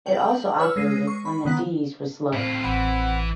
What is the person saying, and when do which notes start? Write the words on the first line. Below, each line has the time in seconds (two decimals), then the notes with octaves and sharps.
It also operated when the Dieze was low.
0.06 G5 F#7
0.58 B4 C#5 E6 F6
0.76 G#3 A#6 C7 D#7
1.07 C#6
1.25 B5
1.45 D#3 B3 F#5 B6
2.33 A2 C4 F4
2.63 A1 E3 F#5 B5